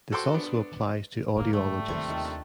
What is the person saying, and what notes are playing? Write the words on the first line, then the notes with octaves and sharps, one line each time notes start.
This also applies to Audiologists.
F#4 A4 C5 G5 C6 D6
B3 D4
G#2 D3 A#3
G3 A3
D#2 C3 G3 F4 C#6
D#3 A4
D4